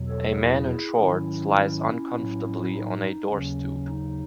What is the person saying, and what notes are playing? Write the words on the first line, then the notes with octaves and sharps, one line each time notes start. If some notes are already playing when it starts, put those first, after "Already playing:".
A man in shorts lies uncomfortably on a door stoop.
Already playing: E2 B2 F#3
A4 C#5
E4 G#4
G#2 D#3 F#3 C#4 E4
A2 F#3
D#4
D#2 C#3 F#3 C#4
D#4